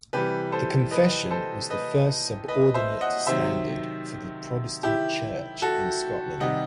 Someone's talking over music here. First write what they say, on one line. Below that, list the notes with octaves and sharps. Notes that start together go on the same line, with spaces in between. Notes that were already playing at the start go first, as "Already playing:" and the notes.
The Confession was the first subordinate standard for the Protestant church in Scotland.
C3 E3 G3 G4 B4
A4 C5
B4 D#5
A4 C5
B4 D#5
B4 D#5
C5 E5
D#5 F#5
C3 D#3 F#3 C5 E5
E4 G4
F#4 A4
C3 D#3 G3 D#5 F#5